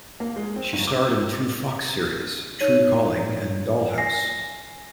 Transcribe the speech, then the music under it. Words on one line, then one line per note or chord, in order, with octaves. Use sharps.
She starred in two Fox series, "Tru Calling" and "Dollhouse".
A#3
G#3
C4
G1
D6
D#4 C#5 D#7
G#5 A#6 C7